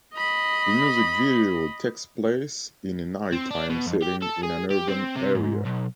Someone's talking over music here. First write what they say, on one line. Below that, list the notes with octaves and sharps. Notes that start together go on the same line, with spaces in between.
The music video takes place in a nighttime setting in an urban area.
D#5 B5
C4
D4
B2
F2
G4
A4
G#4
G4
C4
C3
G#2
B1